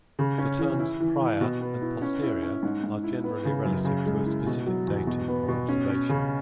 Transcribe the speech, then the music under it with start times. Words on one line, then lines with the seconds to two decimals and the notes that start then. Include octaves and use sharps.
The terms "prior" and "posterior" are generally relative to a specific datum or observation.
0.19 C#3
0.38 C#4
0.59 E3
0.79 E4
1.00 E3
1.21 E3
1.41 B2
1.61 B3
1.82 E4
2.02 C#4
2.22 E4
2.43 C#4
2.63 G#2
2.84 G#2
3.04 E4
3.24 B3
3.45 C#3
3.65 F#2
3.85 C#3
4.06 G#3
4.26 E4
4.46 B2
4.67 F#3
4.87 E2
5.07 B2
5.28 B3
5.48 B2
5.68 C#4
5.89 C#4
6.09 C#3